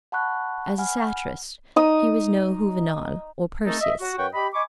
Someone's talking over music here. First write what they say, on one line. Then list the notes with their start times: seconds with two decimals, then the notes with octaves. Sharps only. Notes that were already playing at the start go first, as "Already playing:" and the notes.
As a satirist he was no Juvenal or Persius.
0.12 F#5 A5 B5 C#6 F#6
0.78 F#5 G#5 B5 F6
1.76 D#4 D#6
3.66 G#3 A3 C4 D#4 A4 A#4
3.80 D#5 E5
4.01 F#4
4.17 F#2 B4 C#5 F#5 G5 C#6
4.33 G4 D#5 B5
4.54 D#5 G#5 B5 C#6 D6